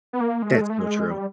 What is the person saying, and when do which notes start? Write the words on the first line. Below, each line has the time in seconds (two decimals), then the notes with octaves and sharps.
That's so true.
0.13 B3
0.21 A#3
0.42 G#3
0.52 A3
0.61 G#3
0.70 A3
0.79 G#3
1.11 G3